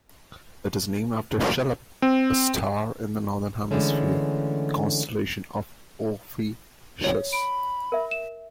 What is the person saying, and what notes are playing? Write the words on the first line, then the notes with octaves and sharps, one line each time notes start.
It is named after Cheleb, a star in the northern hemisphere constellation of Ophiuchus.
C4
D3 E3 G#3 A3 C#4
C#5
B5 D7
A#4 E5
E7